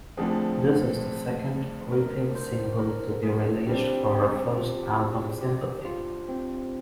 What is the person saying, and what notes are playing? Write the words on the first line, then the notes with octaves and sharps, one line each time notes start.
This is the second retail single to be released for her first album sympathy.
D2 D3 F3 C4 G#4
A#4
C5
A#4
G#4
D3 G3 C4 G4
G4
F4
G4
G#4
G4
F4
C4